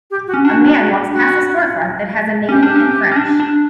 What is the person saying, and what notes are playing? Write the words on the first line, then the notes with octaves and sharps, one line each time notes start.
A man walks past a storefront that has a name in French.
G4
F#4
C#4
D4 F#4
F#4
F#4
C#4 G4
D4
C#4
C#4
D4
D4